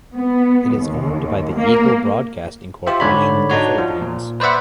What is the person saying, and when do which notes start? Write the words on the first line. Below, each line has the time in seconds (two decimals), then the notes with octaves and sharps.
It is owned by the Eagle Broadcasting Corporation in the Philippines.
0.15 B3
0.75 D#2
1.56 A#3
2.87 F4 G4 C5 E5
3.00 G#2 D3 C#5 D5 B5
3.50 D4 D#4 F#4 C#5
3.78 F3
4.02 A#2
4.40 B4 C5 D5 E5 F#5